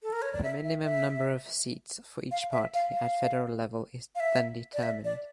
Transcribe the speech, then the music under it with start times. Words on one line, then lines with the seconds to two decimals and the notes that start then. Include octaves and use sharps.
The minimum number of seats for each party at federal level is then determined.
0.03 A4
0.13 A#4
0.22 C#5
0.33 D5
0.43 E5
0.64 E5
0.85 E5
2.31 F5
2.52 E5
2.74 F5
2.94 F5
4.15 F5
4.20 E5
4.74 D5
4.83 E5
5.04 D5